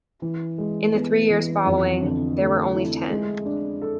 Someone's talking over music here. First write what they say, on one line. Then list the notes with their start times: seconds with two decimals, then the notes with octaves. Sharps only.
In the three years following, there were only ten.
0.22 E3
0.58 G#3
0.94 B3
1.30 E3
1.65 F2
2.02 D3
2.38 A3
2.74 E4
3.10 G#3
3.46 D4
3.82 A4